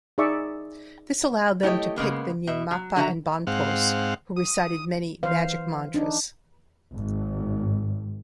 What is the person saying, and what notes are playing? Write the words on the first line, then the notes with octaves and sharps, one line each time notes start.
This allowed them to pick the Nyingmapa and Bonpos, who recited many magic-mantras.
D#4 G#4 D5 E5 C#6
A3 E4 G4 C#5 D#5
C#3 G#3 A#3 B3
B2 E5
F#3
D3 F#4 E5 A#5
G#2 C4 F5 F#5
D#6
E3 C5 F5
D4 D#4
G#1